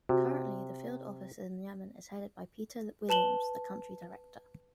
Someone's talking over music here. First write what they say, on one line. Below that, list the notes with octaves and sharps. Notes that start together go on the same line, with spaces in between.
Currently the field office in Yemen is headed by Peter Williams, the country director.
C3 F#4
B4 A5 E7 F#7 G7